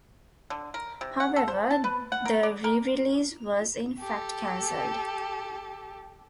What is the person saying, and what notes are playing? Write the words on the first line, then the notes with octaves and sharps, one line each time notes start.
However, the re-release was in fact cancelled.
D3
A#4
C3
F#5
A4
C5
A5
B4
F#5
A#4
D5
A#4
G4 A4